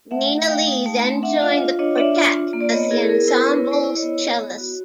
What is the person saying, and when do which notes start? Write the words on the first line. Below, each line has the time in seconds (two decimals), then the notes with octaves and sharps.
Nina Lee then joined the quartet as the ensemble's cellist.
0.11 A3 E5 F#5
0.30 A3
0.48 A3 F5 G5
0.67 D#4
0.86 A3
1.04 C4
1.23 D4 E5 F#5
1.42 F4 D#5 F5
1.60 F4
1.79 D4 C#5 D#5
1.97 D4 D5 E5
2.16 F4
2.34 F4
2.53 A#3
2.61 D5
2.71 B3 C#5 D#5
2.91 E4 G#4 A#4
3.09 B3 G#4 A#4
3.28 E4 A#4 C5
3.46 B3 B4 C#5
3.65 E4
3.71 C5 D5
3.84 E4
3.96 C#5 D#5
4.02 B3
4.21 B3
4.39 B3
4.58 F#4